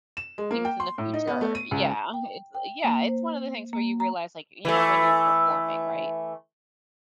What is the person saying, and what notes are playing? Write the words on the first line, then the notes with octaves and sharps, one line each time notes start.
things in the future. Yeah. It's yeah, it's one of the things where you realize, like, you know, when you're performing, right,
E7
G#3
A#3
G5
C6
A2
D#4
B3
A3
D#7
C#2
G5
G5
A#3
C5
A#3
A#5
E3 A3